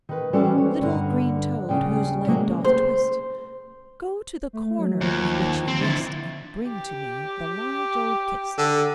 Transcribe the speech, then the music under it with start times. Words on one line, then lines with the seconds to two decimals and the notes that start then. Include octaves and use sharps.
'Little green toad whose leg doth twist, Go to the corner of which you wist, And bring to me the large old kist.'
0.09 D#3 B4
0.33 E3 G3 C#4 F#4 A4 C5
0.57 C#5
0.81 G2 D3 A#4 F#5
1.69 D#2 C#3 G3 G5
2.27 C3 F#3 G#3 A#3 F#4
2.64 C5
4.53 A3
4.79 F#3
5.01 D#2 F3
5.68 C4
5.81 D3 E4 A6
6.68 G4
8.58 D3